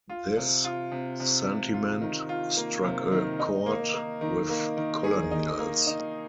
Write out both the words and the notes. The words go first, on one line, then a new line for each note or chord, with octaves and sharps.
This sentiment struck a chord with colonials.
F4
C3
F4
C3
C3
C3
F4
D#3
F4
A#3
C3
D#3
D#4
A#3
A#3
D#3
A#3
D#3
G#4
D#4
A#3
D#4